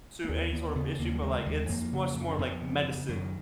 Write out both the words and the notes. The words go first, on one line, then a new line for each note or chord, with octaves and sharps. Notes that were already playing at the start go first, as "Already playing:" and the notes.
to any sort of issue, but, like, it's much more like medicine.
A#3
D#2 B3
D#2 B3
C#3 B3
D#2 A#3
F#3
C#3 G#3
D#2 G#3
F2 A#3
C#3
F2
C#4
F2 B3
C#3
C#3
F#2 D#3